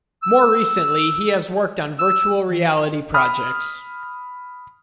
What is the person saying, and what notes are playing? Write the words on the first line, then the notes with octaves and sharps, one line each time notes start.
More recently he has worked on virtual reality projects.
E6
E6
E3
B5 D#6 F6